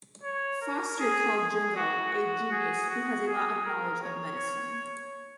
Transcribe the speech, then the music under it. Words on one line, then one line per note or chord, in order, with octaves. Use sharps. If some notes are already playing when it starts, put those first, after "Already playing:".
Foster called Jindal a genius who has a lot of knowledge of medicine.
C#5
A#4
G#4
G#4
F#4
F#4
G#4
F#4
G#4
A#4
C#5